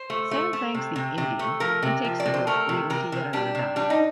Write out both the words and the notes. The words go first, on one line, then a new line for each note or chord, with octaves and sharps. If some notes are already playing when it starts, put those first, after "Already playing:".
Sam thanks the "Indian" and takes the route, leading to yet another dive.
Already playing: C5
A3
A3
A3
C3
C3
C3
A3
F3 A#4
C3
F3
D5
C3
C5
A3 A#4
C3
C3 A#4
C3
G3 D4
C3
G3 D4
D#4